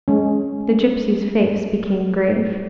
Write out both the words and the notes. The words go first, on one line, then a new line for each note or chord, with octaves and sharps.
The gipsy's face became grave....
G#3 C#4